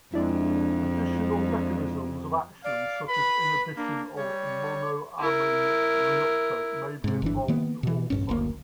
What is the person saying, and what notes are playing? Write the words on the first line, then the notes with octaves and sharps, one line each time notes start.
Additional mechanisms of action such as inhibition of monoamine reuptake may be involved also.
F2 G#3 D4 E4
D5 F5
B4 B5
A#3 D4
G3 C#5
E4 A#4
G#2 C3
G1 E3 D4
D#3 A#3 B3
B2 E3
A#1 G2 C#4
F#1 D2 A#3